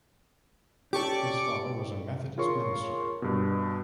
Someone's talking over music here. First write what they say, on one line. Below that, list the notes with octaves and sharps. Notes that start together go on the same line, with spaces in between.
His father was a Methodist minister.
C#4 G4 A4 D5 C#6 D6
F4 G#4 A#4 C#5 C6 C#6
G2 B2